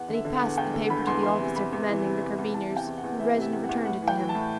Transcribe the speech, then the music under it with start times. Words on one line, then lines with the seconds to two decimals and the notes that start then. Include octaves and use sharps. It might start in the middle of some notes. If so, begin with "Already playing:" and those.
And he passed the paper to the officer commanding the carbineers, who read and returned it to him.
Already playing: E2 F#5
0.08 D3
0.14 E5
0.25 D3
0.36 F#5
0.41 E2
0.57 E2 G5
0.74 D3
0.90 D3 B5
1.07 E2 C6
1.23 E3 C6
1.40 C3
1.56 E2 B5
1.73 E2
1.89 E3
2.05 C3
2.21 E2
2.38 E2
2.54 E3 A5
2.71 C3
2.76 G5
2.87 E2
2.98 F#5
3.03 E2
3.20 E3 E5
3.36 C3
3.42 E5
3.53 E2
3.64 F#5
3.69 E2
3.85 A2 F#5
4.02 E3
4.08 G5
4.18 E3
4.29 A5
4.35 A2